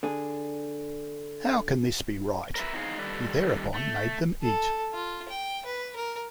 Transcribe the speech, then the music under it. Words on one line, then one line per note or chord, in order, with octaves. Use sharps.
How can this be right? He thereupon made them eat.
D3 D4 G#4
A#4 B4 E5
E2 C4 D#4 E4 G#4 F5
D#3 G3 G4 A4 B4
A3
A4
F4
G5
B4
A#4